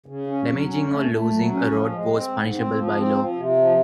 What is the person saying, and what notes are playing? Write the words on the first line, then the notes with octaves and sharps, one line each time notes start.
Damaging or losing a rod was punishable by law.
C#3
C#4
F#3
C#4
A3
A3
F#3
C#4
F3
G#3
C4
G#2
C4
F3
C4
F3
C3
F3